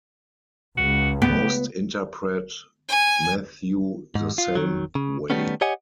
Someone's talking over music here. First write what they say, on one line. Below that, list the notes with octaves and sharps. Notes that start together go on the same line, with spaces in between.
Most interpret Matthew the same way.
C#2 F#4
B3 G4
G#5
G#2
F4
D#3 F#3
C#3
D#3 F#3 G3 A3 B3 C#4
G4 C#5 D#5 F#5 G#5